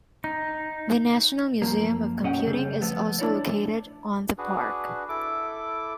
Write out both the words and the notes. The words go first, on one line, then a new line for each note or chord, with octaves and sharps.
The National Museum of Computing is also located on the Park.
D#4
F#2 F3 A#3
B1 F#2 C#4 D#5 F#5 G5
C#3 G3
F3 A3 B3
D4 E4 C#5 D5
D4 F#4 G#4 B4
E4 A4 D6